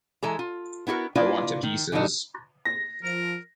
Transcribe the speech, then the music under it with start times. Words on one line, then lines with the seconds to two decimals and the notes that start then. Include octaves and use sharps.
I want to pieces.
0.23 E3 G#3 A4 A#5
0.39 F4
0.87 B3 E4 F#4 A4 A#4
1.15 A#3 D4 E4 F4 B4 D5
1.63 D#3
1.92 A#2 D3 E3 D4 D#4 A4
2.65 A#6
3.03 F3 A#4